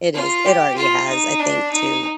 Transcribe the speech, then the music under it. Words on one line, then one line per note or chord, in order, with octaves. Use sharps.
It is, it already has, I think, to
F4
G4
F4
D#4
D4
D#4